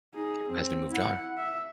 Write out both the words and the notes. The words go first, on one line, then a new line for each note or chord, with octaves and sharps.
you guys have moved on.
D#4 G#4
C4
E4 F#5
E5